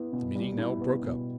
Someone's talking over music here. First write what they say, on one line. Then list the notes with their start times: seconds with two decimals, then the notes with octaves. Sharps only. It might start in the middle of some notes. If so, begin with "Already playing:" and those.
The meeting now broke up.
Already playing: B3 E4
0.13 B2
0.35 G3
0.58 E4
0.81 B3
1.03 B2